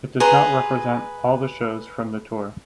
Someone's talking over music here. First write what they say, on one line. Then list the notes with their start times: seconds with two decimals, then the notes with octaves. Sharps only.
It does not represent all the shows from the tour.
0.20 G#4 B4 A#5 C6